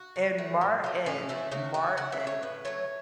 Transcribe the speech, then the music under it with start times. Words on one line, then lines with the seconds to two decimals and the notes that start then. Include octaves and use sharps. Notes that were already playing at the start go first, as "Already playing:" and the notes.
And Martin. Martin,
Already playing: F#4
0.16 C#3
0.38 A3
0.61 A2
0.84 F#3 A3
1.06 A2 C#4
1.29 F#3 A3 E4
1.52 C#3 F#4
1.74 A3 F#4
1.97 C#3 F#5
2.12 E5
2.20 A3
2.27 C#5
2.42 A2 B4
2.65 F#3 A3 C#5